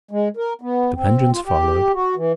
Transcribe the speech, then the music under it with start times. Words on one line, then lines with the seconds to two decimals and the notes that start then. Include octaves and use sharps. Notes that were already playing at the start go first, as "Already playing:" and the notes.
The Vengeance followed.
0.11 G#3
0.37 A#4
0.61 B3
0.95 C4
1.32 F4
1.45 G4
1.94 F#4
2.16 E3